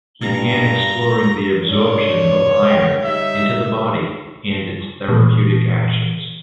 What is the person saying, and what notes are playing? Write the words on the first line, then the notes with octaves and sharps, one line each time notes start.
He began exploring the absorption of iron into the body and its therapeutic actions.
G2 A#5
C2 G#2 D4 C#5
E5 F#5 G5
G3 D#4 E5
A#2 E3